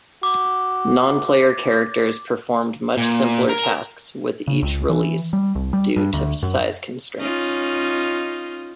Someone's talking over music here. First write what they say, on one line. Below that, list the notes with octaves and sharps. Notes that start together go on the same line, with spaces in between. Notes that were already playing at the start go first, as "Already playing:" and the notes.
Non-player characters performed much simpler tasks with each release due to size constraints.
F#4 D6
A#2
A#4
C#3
C#2
E3
G3
C2
G3
G2
D2
F#2
C#4 D#4 F4